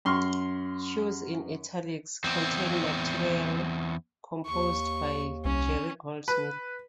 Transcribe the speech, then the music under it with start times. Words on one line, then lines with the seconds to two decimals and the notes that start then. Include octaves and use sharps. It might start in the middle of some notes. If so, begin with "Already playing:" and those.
Cues in italics contain material composed by Jerry Goldsmith.
0.05 F#2 C6 C#6 F6
2.24 E2 C4
4.46 D#2 C#6
5.45 C2 C#4
6.28 B4